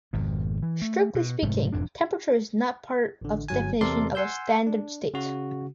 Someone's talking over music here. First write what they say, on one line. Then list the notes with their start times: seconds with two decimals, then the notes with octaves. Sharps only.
Strictly speaking, temperature is not part of the definition of a standard state.
0.13 G#1 F2 B2
0.63 E3
0.81 A3
1.15 B2
1.42 F1 G#2 C3 A3
1.73 E1 F2 G#2 D4
3.21 A1 D3
3.48 G1 F#3 G#5
3.81 E2 C3 A4 A#4 D5 C6
4.15 F#5 G#5 C6 E6 G6
4.67 D4
5.14 C#3 F#4